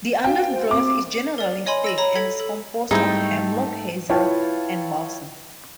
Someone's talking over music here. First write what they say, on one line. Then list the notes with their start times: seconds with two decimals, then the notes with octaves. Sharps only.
The undergrowth is generally thick and is composed of Hemlock Hazel and Balsam.
0.24 F#4 F5 G5 G#5
0.49 C5
0.71 C4 D6
1.38 A#4 D5
1.66 C#5 D#5 G#5 B5 C6
1.84 E6 A#6 F#7
1.98 C#5 A#5 B5
2.15 A4 G#6 B6
2.40 A4
2.91 G#2 G3 A3 C4 D#4 E4 G#4 G5
4.09 E4 F4 B4 C#5 G5 A5